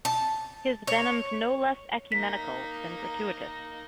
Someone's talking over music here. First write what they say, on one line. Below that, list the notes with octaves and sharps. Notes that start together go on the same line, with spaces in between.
His venom's no less ecumenical than gratuitous.
A5
C#5
A#3 D#4 B6